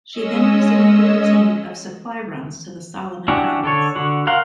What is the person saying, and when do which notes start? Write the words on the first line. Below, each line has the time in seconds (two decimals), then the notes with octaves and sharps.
She then resumed her routine of supply runs to the Solomon Islands.
0.12 G#3 C#4 D#5 E6
3.28 C#4 D4 E4 F#4 G4
3.64 D3 A4 C#5
3.96 D3 F#4
4.27 A#4 F5 F#5 C6